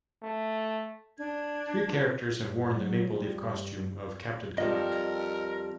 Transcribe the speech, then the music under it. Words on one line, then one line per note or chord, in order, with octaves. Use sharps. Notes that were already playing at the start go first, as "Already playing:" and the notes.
Three characters have worn the maple leaf costume of Captain Canuck.
A3
D4 G#6
G2
F#3
F3 G3
G2
F2 G3 A4 A#4 D#5